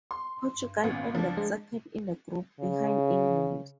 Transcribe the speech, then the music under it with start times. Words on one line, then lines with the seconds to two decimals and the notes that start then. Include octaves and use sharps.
Portugal ended second in the group, behind England.
0.11 C6
0.56 G2
0.84 G#1 A#2 B3 C#4
1.15 C#2 F3 D4
1.37 G#3
2.61 C#3